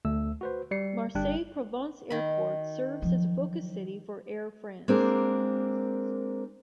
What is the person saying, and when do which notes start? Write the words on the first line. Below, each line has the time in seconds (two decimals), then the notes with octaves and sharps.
Marseille Provence Airport serves as a focus city for Air France.
0.05 D2 A3 E6
0.41 F#4 B4 C5
0.71 G3 D5 C7 C#7
1.15 G1 G3 D4 G5 F#6
2.10 D#3 B5
3.02 F3 F#3
4.88 G#3 A#3 C4 D4 A#4